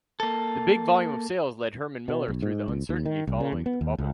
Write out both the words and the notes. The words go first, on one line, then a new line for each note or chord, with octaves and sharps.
The big volume of sales led Herman Miller through the uncertainty following the bubble.
A#3 A4
B2
B1
G#2
C#2
D#2
D#3
C2
C#3
E2
B3
D#2
C#2